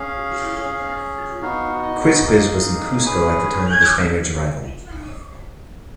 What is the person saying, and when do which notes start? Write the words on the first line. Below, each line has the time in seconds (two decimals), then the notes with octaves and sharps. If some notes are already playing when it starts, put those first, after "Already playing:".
Quizquiz was in Cusco at the time of the Spaniards' arrival.
Already playing: C#4 G#4 F5
0.60 C#4 G#4
1.42 B3 D#4 F#4 F5
1.83 D#5
2.24 A#3 D#4 G#4
3.04 C#4 G#4 B4